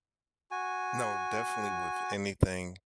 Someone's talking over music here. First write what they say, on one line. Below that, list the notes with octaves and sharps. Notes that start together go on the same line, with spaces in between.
No, definitely with anything,
F#4 G#5